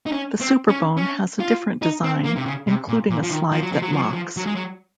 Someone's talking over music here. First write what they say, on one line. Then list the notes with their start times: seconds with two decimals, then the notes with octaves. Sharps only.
The Superbone has a different design, including a slide that locks.
0.06 D#4
0.12 C#4
0.40 C4
0.69 C#4
0.97 C#4
1.40 F4
1.82 D#4
2.04 C4
2.24 A#3
2.36 C3
2.46 C#3
2.67 C3
2.88 A#2
3.09 A#2
3.23 F3
3.31 D#3
3.52 F3
3.62 F#3
3.72 F3
3.82 F#3
3.93 F3
4.02 F#3
4.13 F3
4.37 F#3
4.46 G#3
4.55 F#3